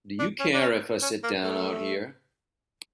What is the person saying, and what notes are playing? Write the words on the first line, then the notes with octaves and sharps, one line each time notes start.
Do you care if I sit down out here?
D4
C#4
D4
C#4
C#4
A#3
A3